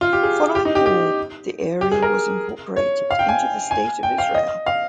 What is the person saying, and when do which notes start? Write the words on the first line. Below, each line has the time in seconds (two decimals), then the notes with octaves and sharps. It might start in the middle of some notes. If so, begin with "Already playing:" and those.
Following the war, the area was incorporated into the State of Israel.
0.01 F4
0.13 G4
0.23 G#4
0.55 G4
0.65 D#4
0.75 G4
0.86 G4
1.81 G4
1.92 G#4
2.03 A#4
2.76 C#5
3.11 F5
3.19 G5
3.29 G#5
3.71 G#5
4.03 G5
4.18 F5
4.34 D#5
4.66 F5